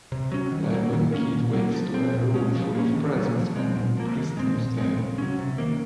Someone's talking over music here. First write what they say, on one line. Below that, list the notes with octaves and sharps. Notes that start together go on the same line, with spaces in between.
Like when a kid wakes to a room full of presents on Christmas day.
C3
F#3 C#4
D#3
F#3 A#3
D#3
A#3 C#4
A#2
F#3 A#3
F3
C4
A#2
G#3 C#4
F3
A#3 C#4
D#3
F#3 A#3 C#4
F3
G#3 C4
A#2
F3 A#3
D#3
G#3 C4
A#2
G#3 C4
C#3
F#3 C#4
C3
D#3 A#3